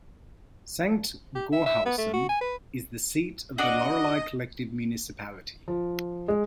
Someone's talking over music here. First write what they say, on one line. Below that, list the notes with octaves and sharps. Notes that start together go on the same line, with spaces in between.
Sankt Goarshausen is the seat of the Loreley collective municipality.
G4
E5
E5
B3
A3
F#4
G#5
B4
D4 F#4 D5 D#5
F3
G#3